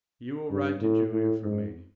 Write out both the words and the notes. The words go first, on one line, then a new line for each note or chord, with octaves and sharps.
You will write to Julia for me.
G2
A2
A2
G#2